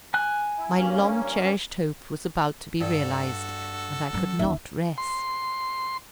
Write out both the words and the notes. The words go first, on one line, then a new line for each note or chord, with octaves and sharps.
My long-cherished hope was about to be realized, and I could not rest.
G#5 F#6
E4
G2 A#3 C#4
G2 F#4 A4
F#3 C#4
D#2 C#4 E5
C6